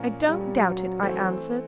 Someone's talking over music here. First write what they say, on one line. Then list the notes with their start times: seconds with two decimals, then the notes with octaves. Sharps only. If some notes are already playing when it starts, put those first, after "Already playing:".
'I don't doubt it,' I answered.
Already playing: A#2 F3 A#3 C#4
0.28 G3
0.65 F#3
1.03 E3 F#3 A3 C4